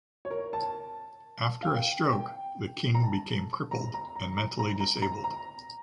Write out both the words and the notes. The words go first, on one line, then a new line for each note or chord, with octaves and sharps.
After a stroke, the King became crippled and mentally disabled.
C#5
A#4
A5
F5
G5
G5
A#5
A5
A#5
A#5
A#5
A#5
A#5
A#5
A#5
A#5